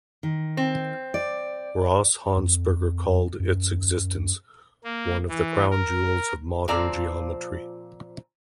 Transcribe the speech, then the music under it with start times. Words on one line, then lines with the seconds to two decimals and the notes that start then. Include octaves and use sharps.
Ross Honsberger called its existence "one of the crown jewels of modern geometry".
0.23 D#3
0.57 C4
1.14 D5
2.37 F2
3.40 F#2
4.84 A#3
5.29 E3
5.71 A#4
6.68 A#2 F3 C4 D5 A#5